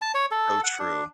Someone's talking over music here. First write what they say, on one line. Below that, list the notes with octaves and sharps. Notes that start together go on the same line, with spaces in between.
Oh, true.
A5
C#5
A4
F#5
D4